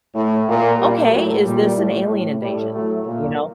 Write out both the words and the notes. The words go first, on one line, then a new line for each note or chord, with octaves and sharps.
"Okay, is this an alien invasion?" You know
A2
A#2
A#2 G3
A2 F#3
A#2 G3
A2
A2
A2 G3
A2 F#3 A3
A#2